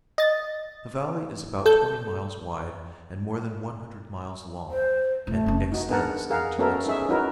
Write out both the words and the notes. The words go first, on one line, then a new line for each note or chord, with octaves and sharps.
The valley is about twenty miles wide and more than one hundred miles long and extends into Mexico.
D#5 A6
A4 G6
C5
E1 A3
F1 C#4
D#4 F#4
B3 D4 G#4 A#4 F#5 A5
G#4 A#4 F5 F#5
B3 C#4 F#4 A4 A#4 E5
C#4 D#4 G#4 E5
C#4 D#4 E4 F#4 A#4 B4